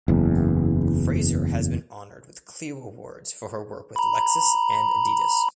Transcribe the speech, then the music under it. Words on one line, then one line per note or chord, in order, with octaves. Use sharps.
Fraser has been honored with Clio awards for her work with Lexus and Adidas.
F#1 E2
A#5 B5